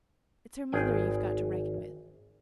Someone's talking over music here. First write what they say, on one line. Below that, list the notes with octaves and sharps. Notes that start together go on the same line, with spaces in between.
It's her mother you've got to reckon with.
G#1 G#4 G5 G#5